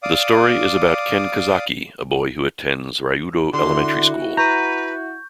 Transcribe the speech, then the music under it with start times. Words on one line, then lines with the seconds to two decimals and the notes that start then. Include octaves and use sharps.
The story is about Ken Kazaki, a boy who attends Ryudo Elementary School.
0.03 D5 F5 D6 D#6
3.53 D3 E4 F#4 C6
4.37 B4 A#5 C#6 G6